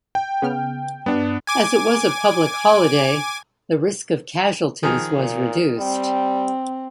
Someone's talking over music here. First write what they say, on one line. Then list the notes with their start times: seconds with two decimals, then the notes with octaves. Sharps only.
As it was a public holiday, the risk of casualties was reduced.
0.15 G5
0.42 C#3 B3 F6
1.06 G2 B3 D4
1.47 G#5 D6 G#6
4.83 D#3 F3 G#4
5.17 A#2
5.78 G3 C4